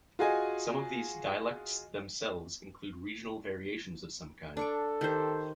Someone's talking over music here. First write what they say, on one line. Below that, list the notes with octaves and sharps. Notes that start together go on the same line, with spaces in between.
Some of these dialects themselves include regional variations of some kind.
F4 F#4 G#4 D#5 G#5
D4 A4 C#6 D6
D#3 G4 C5